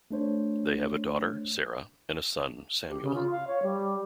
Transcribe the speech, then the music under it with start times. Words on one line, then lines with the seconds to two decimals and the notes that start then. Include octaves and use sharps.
They have a daughter, Sarah, and a son, Samuel.
0.11 A3 D4 C5 C#5
2.90 G4
3.02 C#3
3.15 F4
3.31 F5
3.47 C#5
3.63 G3